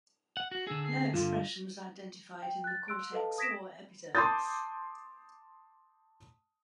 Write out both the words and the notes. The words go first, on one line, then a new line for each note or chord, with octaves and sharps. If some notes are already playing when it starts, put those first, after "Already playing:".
No expression was identified in the cortex or epidermis.
F#5
F#4
D3 G#4 E6
C7
G2 D3 F4
G5
F#6 A6
C6 E6 F#6 D7
A4 B4 D#5 F5 A5
D#6 G#6 A#6 B6 D7 E7
A5 C6 D6 D#6 G6 A6